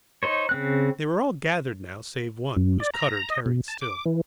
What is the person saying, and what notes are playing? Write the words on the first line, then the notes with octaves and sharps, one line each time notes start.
They were all gathered now save one, whose cutter tarried still.
D#4 C5 C#5
C#3 C4 F#6
F#2
D5
A#5
D#5
B2
A5
D6
E3